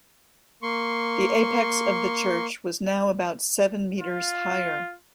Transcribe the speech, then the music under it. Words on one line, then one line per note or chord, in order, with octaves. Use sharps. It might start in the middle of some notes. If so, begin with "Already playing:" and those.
The apex of the church was now about seven metres higher.
A#3 C6 C#6
F4